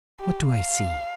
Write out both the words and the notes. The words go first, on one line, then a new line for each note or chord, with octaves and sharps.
"What do I see?"
G4
F5